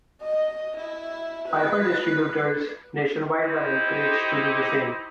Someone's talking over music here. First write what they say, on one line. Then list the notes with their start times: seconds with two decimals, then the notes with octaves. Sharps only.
Piper distributors nationwide were encouraged to do the same.
0.22 D#5
0.77 E4
1.48 B4
3.42 D#4 E4 G4 C5